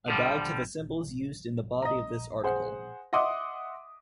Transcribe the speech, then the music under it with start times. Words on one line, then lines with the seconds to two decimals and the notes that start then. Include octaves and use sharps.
A guide to the symbols used in the body of this article.
0.08 D3 F3 G3
1.82 D#5 A#5
2.44 G#4 C5 F#5
3.13 D#5 E5 F#5 C6 D6 D#6